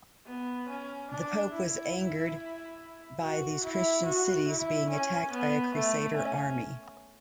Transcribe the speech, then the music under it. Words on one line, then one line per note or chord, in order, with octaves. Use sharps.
The Pope was angered by these Christian cities being attacked by a Crusader army.
B3
C#4
D4
E4
F#4
E4
F#4
E4
C#4
B3
A3
C#4